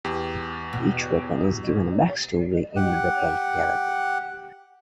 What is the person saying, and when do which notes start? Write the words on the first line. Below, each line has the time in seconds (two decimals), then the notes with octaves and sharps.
Each weapon is given a backstory in the "Weapon Gallery".
0.05 E2 G4
0.73 B2
2.76 G4 F#5